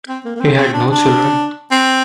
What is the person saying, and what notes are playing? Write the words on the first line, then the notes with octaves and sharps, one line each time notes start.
He had no children.
C4
A#3
A#3
C4
C4
D4
D4
C4